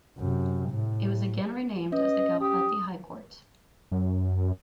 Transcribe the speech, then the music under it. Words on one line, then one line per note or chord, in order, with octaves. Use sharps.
It was again renamed as the Gauhati High Court.
F#2 C3
A2
C#4 B4 D#5
G4 D#6
F#2